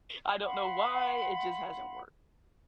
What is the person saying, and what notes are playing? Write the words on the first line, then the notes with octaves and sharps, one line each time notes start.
I don't know why, it just hasn't worked.
F5 F#5 B5 C6